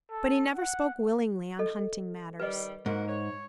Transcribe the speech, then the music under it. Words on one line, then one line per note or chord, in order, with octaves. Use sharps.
But he never spoke willingly on hunting matters.
A4
F#5
A4 D#5
D#3 G3 B4 D#5
G#2 A#3 F#4 A#4
C#5